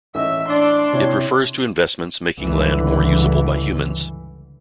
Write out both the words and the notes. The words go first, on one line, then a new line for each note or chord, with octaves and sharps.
It refers to investments making land more usable by humans.
A1 D#5 E5
D4 C6
C3 E4 C#5
C#2 G2 D3 E3